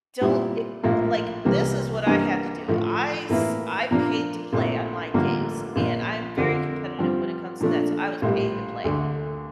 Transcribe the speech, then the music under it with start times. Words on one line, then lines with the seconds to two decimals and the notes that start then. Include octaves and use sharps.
don't e like, this is what I had to do, I s I paid to play on my games, and I am very competitive when it comes to that, so, I was paying to play.
0.21 A#2 G3 C4 E4
0.83 A#1 A2 F3 A#3 E4
1.45 C2 C3 E3 G3 A#3
2.06 G2 E3 A#3 D4
2.68 A2 F3 A3
3.29 A2 E3 A#3 E4
3.91 A#2 F3 A#3 D4
4.53 A#1 A#2 A3 C4 E4
5.14 A1 G2 D3 F3 A#3
5.76 A#1 A#2 F3
6.37 F2 D3 F3 C4
6.99 G2 F3 C4
7.61 A#2 F3 A3 D4
8.22 A#1 A2 G3
8.84 D2 D3 A3